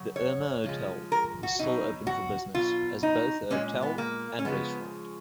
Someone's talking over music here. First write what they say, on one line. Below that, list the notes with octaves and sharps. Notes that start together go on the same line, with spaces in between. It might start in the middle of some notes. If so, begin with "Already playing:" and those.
The Irma Hotel is still open for business as both a hotel and restaurant.
Already playing: C#3 F#3
C#5
C#3 F3 G#3
A#4
F#4
B2 F#3 D#4
F#4
B2 F#3 F4
D#4
A#2 G#3 C#4
B3
A#3
C#4
C#3 F3 G#3 B3